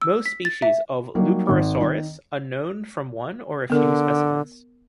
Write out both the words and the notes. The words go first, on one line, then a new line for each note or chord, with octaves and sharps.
Most species of "Lupersaurus" are known from one or a few specimens.
E6
B6
A6
E5
F#3 G3 A#3 D#4
G#1
D#3
D3 B3 A#4